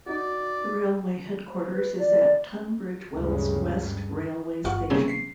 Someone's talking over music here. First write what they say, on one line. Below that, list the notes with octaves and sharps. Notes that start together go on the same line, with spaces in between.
The railway headquarters is at Tunbridge Wells West railway station.
D#4 F#4 D5
C5
B4
D5
D2 G2 C#3 G3 G#3
G2
G#1 G2 F4 F#5 C#6
C3 G3 A#3 C4 C#4 G#4
B6 C7